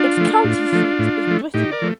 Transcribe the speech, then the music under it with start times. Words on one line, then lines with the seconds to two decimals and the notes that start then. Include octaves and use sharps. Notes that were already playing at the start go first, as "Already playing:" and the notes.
Its county seat is Britton.
Already playing: D4 F4
0.17 F3 A3
0.44 A2
0.73 F3 A3
0.99 A2
1.27 F3 A3
1.54 A2 D#4 G4
1.71 A#4 D5
1.82 F3 A3